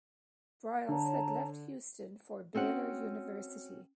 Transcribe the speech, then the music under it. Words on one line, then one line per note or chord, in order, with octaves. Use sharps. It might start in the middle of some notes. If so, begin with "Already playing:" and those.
Briles had left Houston for Baylor University.
D3 C#5 A5 A#5
C4 C#4 F#4 F#5